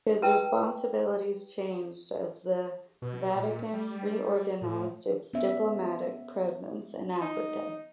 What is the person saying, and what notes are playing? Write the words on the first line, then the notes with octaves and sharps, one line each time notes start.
His responsibilities changed as the Vatican reorganized its diplomatic presence in Africa.
E4 B4 G5 A5 A#5 E6
B2
A#2
G3
A2
B3 C#4 E5
D#4